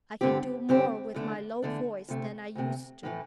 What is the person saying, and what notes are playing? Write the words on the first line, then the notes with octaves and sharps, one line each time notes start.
I can do more with my low voice than I used to.
G2 D3 C4 G4
G2 D3 C4 G4
E2 D3 A3 D4
E2 D3 A3 D4
D2 C3 A3
D2 C3 A3
A2 E3 A3